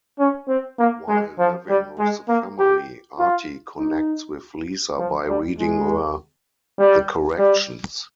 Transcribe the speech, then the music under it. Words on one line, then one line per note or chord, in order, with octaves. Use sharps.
While living with the family, Artie connects with Lisa by reading her "The Corrections".
C#4
C4
A#3
G#3
F3
G3
G#3
A#3
G4
F4
D#4
F3
G3
G#3
G3
G3